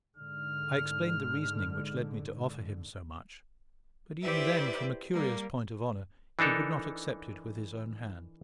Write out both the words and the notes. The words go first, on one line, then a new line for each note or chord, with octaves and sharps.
I explained the reasoning which led me to offer him so much; but even then, from a curious point of honour, he would not accept it with his own hand.
G#2 D3 F6
E4 G4 B4 C5 D5 E5
G3 A#3
E3 D4 D#4 A4 A#4